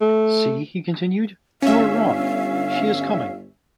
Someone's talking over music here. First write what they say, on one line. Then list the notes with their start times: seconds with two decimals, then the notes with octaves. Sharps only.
"See," he continued, "you are wrong: she is coming."
0.01 A3
1.62 G1 C#4 E5 F5